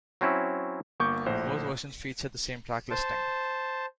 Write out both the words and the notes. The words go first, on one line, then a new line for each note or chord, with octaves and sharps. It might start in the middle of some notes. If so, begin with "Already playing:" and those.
Both versions featured the same track listing.
F#3 C4 C#4 E4
G1 A#3 C#6 D6 G6
A#1 A2 C5
C5 A5